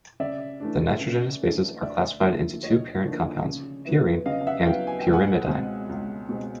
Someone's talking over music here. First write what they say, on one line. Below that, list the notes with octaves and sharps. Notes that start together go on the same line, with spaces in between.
The nitrogenous bases are classified into two parent compounds, purine and pyrimidine.
C#3 D5 E5
E3 A3 D4
C#3
E3 A3 D4
D2 D5 E5
D3 F3 A#3 D#4
D2 C#5 D#5
D3 F3 A#3 D#4
C#3
F#3 B3 E4
C#3 D#5 F5
F5
E5 F#5
F#3 B3 E4 F5 G5
G#5
G5
C#2
F#5 G#5
B2 G#3 C4
C#2
B2 G#3 C4